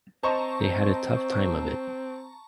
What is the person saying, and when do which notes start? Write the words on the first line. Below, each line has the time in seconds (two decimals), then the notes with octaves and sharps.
They had a tough time of it.
0.23 C4 C5 D#5 A5 A#5 C#6